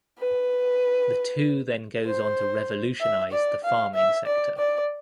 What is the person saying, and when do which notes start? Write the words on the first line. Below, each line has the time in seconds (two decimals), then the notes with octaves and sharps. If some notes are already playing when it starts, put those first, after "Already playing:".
The two then goes on to revolutionize the farming sector.
0.18 B4
2.06 C5
3.00 E5
3.32 D5
3.64 F5
3.95 E5
4.26 D5
4.58 D5